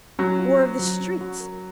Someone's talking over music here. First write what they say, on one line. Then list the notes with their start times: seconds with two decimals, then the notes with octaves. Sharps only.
War of the streets?
0.19 F#3 C#4
0.39 F4
0.60 C5
0.79 F#3
1.00 C#4
1.21 F#4
1.40 A#4